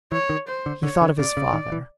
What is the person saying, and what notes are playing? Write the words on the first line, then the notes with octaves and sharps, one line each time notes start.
He thought of his father.
E3 C#5
D#3
C5
D3
D3 C#5
D3
C#3 D5
C#3
D#3
E3